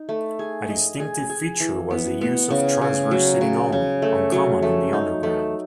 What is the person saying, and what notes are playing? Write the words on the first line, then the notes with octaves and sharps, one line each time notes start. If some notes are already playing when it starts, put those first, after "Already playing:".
A distinctive feature was the use of transverse seating only, uncommon on the Underground.
Already playing: D#4
A3
G#4
D#5
G#4
G#4
E3
B3
B3
C#3
C#3
F#3
C#3
C#3
A3
F#3
A3
D#4
A3